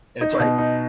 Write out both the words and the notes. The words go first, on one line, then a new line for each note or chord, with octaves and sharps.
and it's, like
D#4
B2
D#4